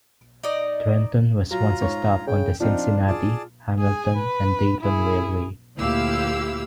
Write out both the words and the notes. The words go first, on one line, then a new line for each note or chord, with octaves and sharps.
Trenton was once a stop on the Cincinnati, Hamilton and Dayton Railway.
D#4 D5 D#5
F#3 F4 A#5
G#2 C#5
C#3 G5
F3 C4 D4 D#4 F4
F4 G#4 D5 A5
G#4 G#5
B4
E4 G#4
D2 A#2 E4 G4 F5 E6